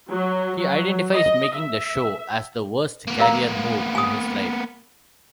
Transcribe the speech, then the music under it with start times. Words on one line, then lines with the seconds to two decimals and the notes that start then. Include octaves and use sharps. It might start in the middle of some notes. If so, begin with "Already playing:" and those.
He identifies making the show as "the worst career move" in his life.
0.11 F#3
0.57 F#3
1.13 D#5
1.57 E5
3.08 A#3 B3
3.20 A#4 F5 A#5
3.95 G#5 D#6